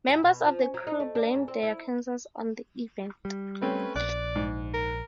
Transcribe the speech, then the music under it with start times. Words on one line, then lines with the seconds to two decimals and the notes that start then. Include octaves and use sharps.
Members of the crew blamed their cancers on the event.
0.08 G2
0.23 B2
0.44 F3
0.59 C#4
0.74 F#3
0.87 D#4
1.00 A3
1.15 D4
1.34 G#2
1.48 C4
1.63 E4
3.25 G3
3.61 A3 C4 C#4 B4
3.96 A#1 D5 F#6
4.35 G#2
4.74 A#4